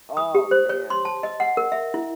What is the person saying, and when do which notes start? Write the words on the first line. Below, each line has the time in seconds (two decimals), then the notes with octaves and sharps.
Oh, man.
0.17 D#6
0.35 G4
0.51 C5
0.69 C#5
0.90 C6
1.05 A5
1.23 D#5
1.40 F#5
1.57 A#4
1.72 E5
1.94 E4